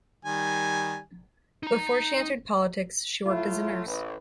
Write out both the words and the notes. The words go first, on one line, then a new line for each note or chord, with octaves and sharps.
Before she entered politics she worked as a nurse.
D#3 G3 G#5
D#4 A#5
F#3 A3 E4 F4
A1 B4